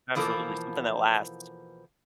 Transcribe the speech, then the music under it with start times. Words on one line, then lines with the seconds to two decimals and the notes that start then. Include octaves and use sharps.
Absolutely, something that lasts.
0.15 B2 E3 F3 A#3 A4